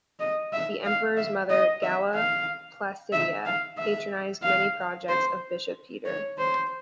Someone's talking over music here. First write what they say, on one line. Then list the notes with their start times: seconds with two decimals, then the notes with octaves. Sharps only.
The Emperor's mother, Galla Placidia, patronized many projects of Bishop Peter.
0.20 D#5
0.53 E5
0.85 F5
1.17 E5
1.50 D#5
1.82 E5
2.15 F5
3.12 E5
3.45 F5
3.78 E5
4.42 F5
5.08 C5
6.05 C#5
6.38 C5